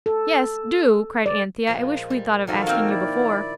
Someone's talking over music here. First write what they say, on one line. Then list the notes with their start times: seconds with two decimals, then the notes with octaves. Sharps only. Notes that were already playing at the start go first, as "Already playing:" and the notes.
'Yes--DO,' cried Anthea, 'I wish we'd thought of asking you before.'
0.06 A4
1.26 D5
1.67 A#2 F3 G#3
2.10 G3
2.47 D#3 F3 D#4 F#4 A4 A#4
2.67 A#3 C4 F6
2.90 E4 D5